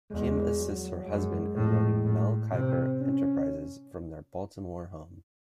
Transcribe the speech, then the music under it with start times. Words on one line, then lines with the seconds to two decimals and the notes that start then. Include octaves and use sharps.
Kim assists her husband in running Mel Kiper Enterprises from their Baltimore home.
0.11 E2 G#3
0.60 F#3
1.07 F#2 G#3
1.56 A2
2.04 A2
2.52 C3 C4
3.01 C#4